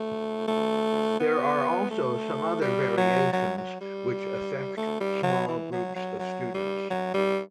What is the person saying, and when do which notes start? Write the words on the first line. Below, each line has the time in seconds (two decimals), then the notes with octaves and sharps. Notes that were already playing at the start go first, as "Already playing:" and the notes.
There are also some other variations which affect small groups of students.
Already playing: A3
0.47 A3
1.20 B3
1.90 A3
2.61 G3
2.98 F#3
3.33 F#3
3.58 F#3
3.81 G3
4.77 A3
5.00 G3
5.23 F#3
5.48 E3
5.72 F#3
5.95 F#3
6.19 F#3
6.54 G3
6.90 F#3
7.14 G3